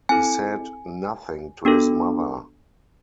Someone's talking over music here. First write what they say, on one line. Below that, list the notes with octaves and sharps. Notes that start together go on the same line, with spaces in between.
He said nothing to his mother.
C4 E4 A4 G#5
B3 D4 F#4 A4